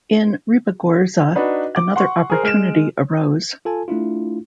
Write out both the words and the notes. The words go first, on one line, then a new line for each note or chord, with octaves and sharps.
In Ribagorza, another opportunity arose.
D4 D#4 F#4 B4
D6
F#5 C6 C#6
G#4 A#4 C5
G#3 F6 D7 E7
F4 A4 G#5 A5
A3 D4 E4 F4